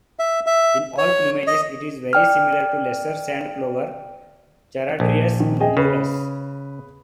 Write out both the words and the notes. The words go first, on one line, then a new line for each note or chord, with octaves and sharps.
In all plumages, it is very similar to lesser sand plover, "Charadrius mongolus".
E5
E5
C#5
D#5
D5 G5 F6
A#1
D#3
G#4 D#5 G5
C#3 B4